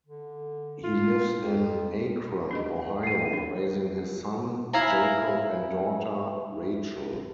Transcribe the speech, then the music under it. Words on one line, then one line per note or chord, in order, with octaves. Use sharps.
He lives in Akron, Ohio raising his son, Jacob and daughter, Rachel.
D3
F4
F2
D4 G#4 D#5
C7 D#7
D4
E4 F5 G#5 A#5